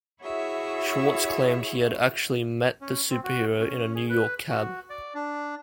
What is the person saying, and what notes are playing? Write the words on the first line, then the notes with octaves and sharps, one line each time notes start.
Schwartz claimed he had actually met the superhero in a New York cab.
E4 F#4 G#4 C#5 E5
C#4
C4
F#4
C#4
G#4
B4
F#4
D5
D4